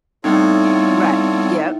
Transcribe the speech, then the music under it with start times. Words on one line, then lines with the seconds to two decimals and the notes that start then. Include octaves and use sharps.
Right, yep.
0.24 A2 G3 B3 C4 D#4 F4 A4 C#5